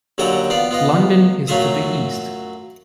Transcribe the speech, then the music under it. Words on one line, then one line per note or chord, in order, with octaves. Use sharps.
London is to the east.
D#2 D3 F#3 A4 G5 D#6
B3 F4 D5
B3 F4 D#5
F#2 F#3 A3 F4 E5 D#6